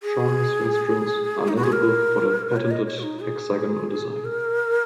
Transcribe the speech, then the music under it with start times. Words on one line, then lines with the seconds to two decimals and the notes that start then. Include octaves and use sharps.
Shari's restaurants are notable for their patented hexagonal design.
0.03 G#4
1.48 D#4
1.56 F#4
1.64 G#4
1.72 A#4
2.56 C#5
2.71 D#5
2.85 C#5
2.99 F#4
3.03 D#4
3.20 G#4
4.25 A#4